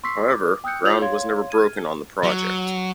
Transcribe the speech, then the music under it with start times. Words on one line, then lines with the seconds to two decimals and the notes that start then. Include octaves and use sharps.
However, ground was never broken on the project.
0.04 C6 C#6 E6 B6 C7
0.31 D6
0.64 G5 D#6 E6 F#6 G6 C#7
0.83 F4 C#5 E6 G6 F7 F#7
1.01 C#5 F5 C6 G#6
1.50 F6 G#6 D#7
2.23 F#3